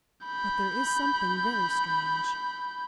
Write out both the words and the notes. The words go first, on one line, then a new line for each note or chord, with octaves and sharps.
But there is something very strange.
B5 G6